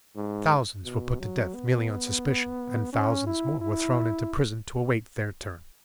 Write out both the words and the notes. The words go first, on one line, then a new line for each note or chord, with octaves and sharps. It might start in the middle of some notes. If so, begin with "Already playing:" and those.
Thousands were put to death merely on suspicion, and thousands more were thrown into prison to await their turn.
G#2
B2
F#3
B3
C#4
E4
E4